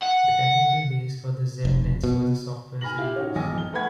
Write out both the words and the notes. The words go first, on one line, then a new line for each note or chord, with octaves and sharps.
The technical base for the Z-Netz was the software "Zerberus".
F#5
F1
B2
G#5 B5 F6 A#6 F#7
E4 F4 G4 E5
C#4 D#4 F#4
E1 A#1 D#5 G#5 A#6
F2 G7
A3 B4 F#5 B5 G#6